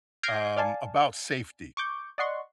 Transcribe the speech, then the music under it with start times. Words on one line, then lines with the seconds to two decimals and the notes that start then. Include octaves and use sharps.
um, about safety
0.23 F6 G6 G#6 A#6 C7 D7
0.57 D5 F5 G#5 A5
1.77 C#6 D6 G6
2.18 D5 D#5 F#5 C6 C#6